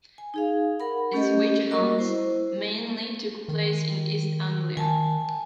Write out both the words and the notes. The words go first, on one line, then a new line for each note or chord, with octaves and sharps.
His witch-hunts mainly took place in East Anglia.
G#5
D#4 G#4 F5
A#4 F#5 B5
A3 C#4 G4 A4 D#5
G3 A#3 F#4 A#4 D#5 C#6
E4 C5
D#3
D#3 G#5 A5